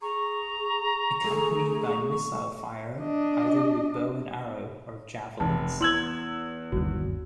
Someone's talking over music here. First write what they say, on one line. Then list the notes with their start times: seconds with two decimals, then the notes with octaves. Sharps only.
Accompanied by missile fire, either with bow and arrow or javelins.
0.02 G#4 A#5 C#6
1.24 A3 G#4
3.01 D4 D#5
5.40 F1 E3 A5
5.81 E2 E4 C6 E6 G#6 F#7
6.72 G1 D#2 F#4